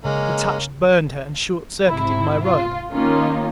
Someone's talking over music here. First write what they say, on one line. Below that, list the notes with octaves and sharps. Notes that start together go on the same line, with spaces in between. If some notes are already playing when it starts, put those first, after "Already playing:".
The touch burned her, and short-circuited my robe.
C#3 G#3 A#3 C#4 A#5
G#2 C3 E4
F4
D#3 A#3 C#4 D#4 F4